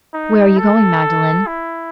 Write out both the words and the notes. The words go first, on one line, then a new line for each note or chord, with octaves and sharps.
"Where are you going, Magdalen?"
D#4
A4
E4